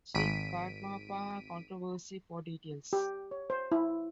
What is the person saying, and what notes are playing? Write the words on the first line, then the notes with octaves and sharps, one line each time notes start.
See Karmapa controversy for details.
G#1 B6 D7 D#7
G4
C#5
C5
E4